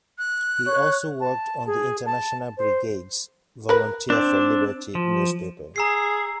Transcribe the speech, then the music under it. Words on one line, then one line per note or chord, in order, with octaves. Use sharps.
He also worked on the International Brigades "Volunteer for Liberty" newspaper.
F#6
C#5
A5
G#4
A5
C5
A#4 B4
C4 D4
F3
G#4 A#5 E6 C7